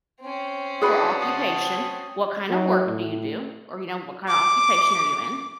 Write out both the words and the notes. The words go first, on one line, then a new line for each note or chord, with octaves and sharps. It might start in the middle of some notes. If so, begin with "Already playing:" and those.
for occupation, "What kind of work do you do?" Or, you know, "What kind of occupation are you in?"
C4 C#4
D4 E4 F#4 G#4 B4 B5
F#5 A5 D#6
F#3
A2
D6